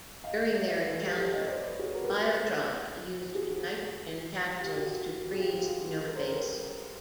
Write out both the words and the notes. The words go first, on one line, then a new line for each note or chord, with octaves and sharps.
During their encounter, Biotrog used nitrogen capsules to freeze No-Face.
D#5 F5
D5 E5
A4 B4
G4 A4
G4 A4
C#5 D#5
C5 D5
B4 C#5
F#4 G#4
A#4
B4
G#4 A#4
F#4 G#4
F4 G4
F#4
F#4
F#4
F#4
G#4
F4 G4
F#4
F4
F4 G4
A4 B4
A#4 C5
A#4
A4 B4